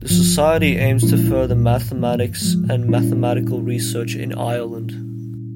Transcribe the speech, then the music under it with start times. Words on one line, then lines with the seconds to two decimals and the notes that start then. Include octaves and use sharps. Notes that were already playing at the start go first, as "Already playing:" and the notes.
The society aims to further Mathematics and Mathematical research in Ireland.
Already playing: G1
0.10 G2 F3
0.33 G1
0.56 G2 F3
0.80 A#2
1.03 F3 G#3 C#4 E4
1.26 C2
1.49 A#2 G3 A#3
1.73 G2
1.96 E3 G3 A#3
2.19 G2
2.42 F3 G#3
2.65 A#2
2.89 G3 C#4 E4